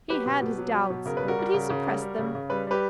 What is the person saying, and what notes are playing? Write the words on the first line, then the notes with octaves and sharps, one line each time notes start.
He had his doubts, but he suppressed them.
F#3 G4 B4
B2
B2
F#3
F#3
B2
C#3 A#4
G3 B4
F#4 A#4
G3
C#3
C#3
G3
G3
C#3
C#3
G3 B4
G3 G4 B4